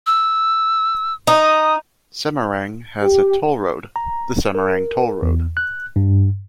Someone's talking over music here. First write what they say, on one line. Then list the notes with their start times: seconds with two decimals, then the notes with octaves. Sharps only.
Semarang has a toll road, the Semarang Toll Road.
0.06 E6
1.27 D#4 D#6
3.02 G4
3.96 A#5
4.55 A#4
5.22 E2
5.57 F#6
5.96 G2